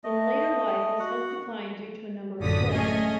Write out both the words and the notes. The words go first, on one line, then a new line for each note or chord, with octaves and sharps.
In later life, his health declined due to a number of strokes.
A3 D#5
F#4 F#5
A1 F#2 A#2 D3 D#6 B6
A3 C#4 G#4 D#5 G#5